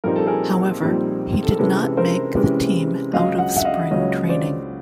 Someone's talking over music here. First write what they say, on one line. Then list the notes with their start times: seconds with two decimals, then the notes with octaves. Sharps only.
However, he did not make the team out of spring training.
0.04 A#1 A#2 G3 C4 D#4 A#4
0.16 A4
0.26 G#4 A#4
0.81 A#1 A#2 G3 C4 D#4
1.43 A4
1.51 A#4
1.58 C3 E3 G#3 C#4 A4 B4
1.97 A#4 C5
2.36 C3 E3 G#3 C#4
3.13 C#2 C#3 F#3 D#5 F5
3.38 F#5
3.56 E5 F#5
3.65 D#5 F5
3.91 C#2 C#3 F#3 C#5 D#5
4.29 C5 D5